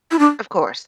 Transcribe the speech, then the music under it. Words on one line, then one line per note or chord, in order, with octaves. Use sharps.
Of course.
E4
D4